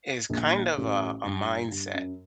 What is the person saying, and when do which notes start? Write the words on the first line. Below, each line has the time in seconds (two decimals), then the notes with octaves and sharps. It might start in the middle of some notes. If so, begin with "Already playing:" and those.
is kind of, uh, a mindset.
0.29 A#1 A#2
0.77 A1 A2
1.24 G2
1.70 G2
1.94 F#2